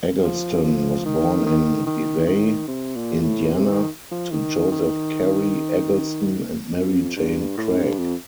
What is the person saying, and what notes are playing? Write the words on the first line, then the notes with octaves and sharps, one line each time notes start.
Eggleston was born in Vevay, Indiana, to Joseph Cary Eggleston and Mary Jane Craig.
F3
F3
D#3
D#3
D#3
D#3
C3
A#2
A2
C3
D#3
F3
D#3
D#3
F2
G2
A2
G2
F2